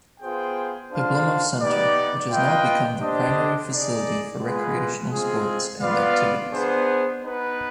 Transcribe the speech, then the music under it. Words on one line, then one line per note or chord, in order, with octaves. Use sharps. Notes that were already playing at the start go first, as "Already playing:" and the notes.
Pablumbo Center, which has now become the primary facility for recreational sports and activities.
B3 F4 G#4 C5 G5
D4 F4 C5 F5
B3 D#4 G4 B4 D5
F4 B4 D#5 G5
D4 G4 C5 D#5
D#4 G#4 D5
G#3 B3 F4 G#4 B4
G#3 C4 F4 G#4
B3 F4 B4 D5 F5
B3 D4 G#4 C5
B3 D#4 B4